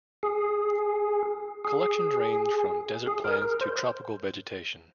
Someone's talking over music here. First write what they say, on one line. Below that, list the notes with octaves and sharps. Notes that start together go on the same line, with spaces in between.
Collections range from desert plants to tropical vegetation.
G#4
G#4
G#4
A#4
A#4
C5